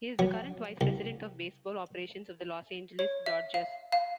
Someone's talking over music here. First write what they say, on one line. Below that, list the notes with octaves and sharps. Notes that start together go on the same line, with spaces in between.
He is the current Vice President of Baseball Operations of the Los Angeles Dodgers.
F#3
C2
C#5
E5
F5
F5